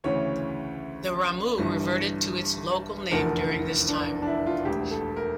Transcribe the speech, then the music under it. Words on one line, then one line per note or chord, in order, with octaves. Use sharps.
The Ramu reverted to its local name during this time.
D2 C#3 E3 C#5
G1 G2 E3
F1 E2 D3 F3 A#4
D4
D4
E4
F4
E1 D2 D3 G4
A4
A#4